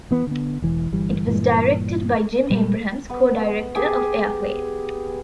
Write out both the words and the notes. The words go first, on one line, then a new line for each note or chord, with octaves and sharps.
It was directed by Jim Abrahams, co-director of Airplane!
E3 B3
D3 B3
E1 E3
G1 E3 G3
G2 A#2 E3
A#2 G3 G#3 A#3
B3
G4 G#4